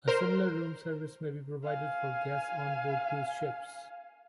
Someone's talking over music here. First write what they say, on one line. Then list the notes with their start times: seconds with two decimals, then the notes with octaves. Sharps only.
A similar room service may be provided for guests onboard cruise ships.
0.08 A#4 C5
1.64 F5 G#5